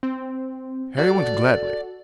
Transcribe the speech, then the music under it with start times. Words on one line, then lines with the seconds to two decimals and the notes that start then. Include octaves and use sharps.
Harry went gladly.
0.03 C4
0.99 F#4 A4 D5